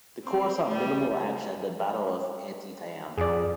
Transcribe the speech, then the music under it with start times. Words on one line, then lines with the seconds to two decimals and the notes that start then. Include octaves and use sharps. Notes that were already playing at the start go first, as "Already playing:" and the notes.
The corps saw minimal action at the Battle of Antietam.
0.24 C4
0.68 G3
3.18 F2 G#4 D5